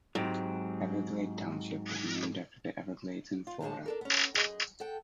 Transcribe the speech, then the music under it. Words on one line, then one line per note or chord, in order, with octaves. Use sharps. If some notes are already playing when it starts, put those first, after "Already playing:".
Everglade Township was named after the Everglades in Florida.
G#2 F#3 C4 G4
F4
A#2 F3 G#3 G#4 C#5 A5
D4 A4 A#4
B3 C#4
F#2 G#4 D#5
A4 F#5 G5